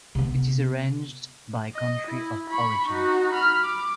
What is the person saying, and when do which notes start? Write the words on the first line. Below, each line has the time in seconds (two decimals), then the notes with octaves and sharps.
It is arranged by country of origin.
0.15 C3 B3
1.75 D#5
2.07 E4
2.50 B5 C#6
2.89 D#4 F#4
3.33 B5 F6
3.64 D6